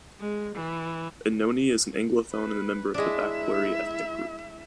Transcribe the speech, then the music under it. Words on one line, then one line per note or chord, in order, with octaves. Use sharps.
Inoni is an Anglophone and a member of the Bakweri ethnic group.
G#3
E3
B4
G#3 D4 E4 E5